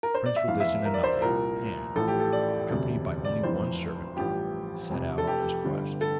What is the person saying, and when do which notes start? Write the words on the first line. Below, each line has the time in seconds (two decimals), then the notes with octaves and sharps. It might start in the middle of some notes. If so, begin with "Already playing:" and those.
The prince would listen to nothing, and, accompanied by only one servant, set out on his quest.
0.03 A#4
0.14 C5
0.26 D5
0.36 E5
0.48 F1 E2 E3 F5
0.60 E5
0.85 A#4
0.94 D5
1.04 C5
1.21 C2 A#2 F3 A#4
1.96 A1 A2 F3 A4
2.08 G4
2.20 A4
2.33 D5
2.69 E1 D2 C3
3.25 D5
3.43 F1 F2 E3 C5
4.17 A1 G2 F3 G4
4.90 F1 F2 C3
5.18 A4
5.27 G4
5.64 G1 G2 D3
6.01 A4